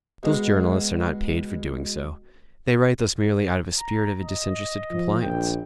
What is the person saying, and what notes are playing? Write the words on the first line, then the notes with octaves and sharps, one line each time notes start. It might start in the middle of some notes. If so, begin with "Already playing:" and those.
Those journalists are not paid for doing so: they write thus merely out of a spirit of disinterested complaisance.
B2 G#3
A#5
D#5
F3
A#1 G5